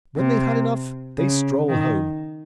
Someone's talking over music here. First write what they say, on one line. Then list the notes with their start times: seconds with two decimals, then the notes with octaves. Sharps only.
When they have had enough, they stroll home.
0.17 C3
1.18 C#3
1.69 D#3